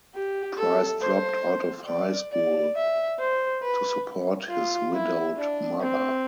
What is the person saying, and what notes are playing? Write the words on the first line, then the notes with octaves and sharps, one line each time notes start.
Price dropped out of high school to support his widowed mother.
G4
A4
C5
D5
D5
E5
C5
B4
F4
E4
D4
C4